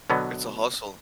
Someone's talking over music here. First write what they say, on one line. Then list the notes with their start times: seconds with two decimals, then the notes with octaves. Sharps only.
It's a hustle,
0.10 B2 D3 F#3 B3